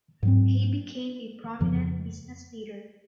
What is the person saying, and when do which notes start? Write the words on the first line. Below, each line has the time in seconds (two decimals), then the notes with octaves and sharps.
He became a prominent business leader.
0.23 G#2 F#3 C4
1.60 F2 C#3 F3